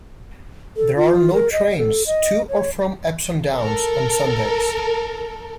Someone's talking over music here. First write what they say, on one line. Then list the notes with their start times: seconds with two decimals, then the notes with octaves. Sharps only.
There are no trains to or from Epsom Downs on Sundays.
0.77 A4
0.96 F4
1.33 A#4
1.52 D#5
1.77 A4
2.07 D#5
2.49 C#5
3.55 A4 A#4